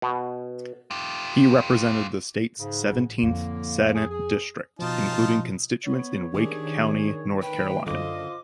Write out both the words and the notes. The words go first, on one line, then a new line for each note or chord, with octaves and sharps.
He represented the state's seventeenth Senate district, including constituents in Wake County, North Carolina.
B2
F4 G4
G#2 C#3
A1
F2 A2 D3 A#3
G#4
G#4
B2 F3 D#4 F4 A5
B3 C#5
D#3 D4 G4 G#4
B4 G5
F#2 D3 F4 C5 D#5 D6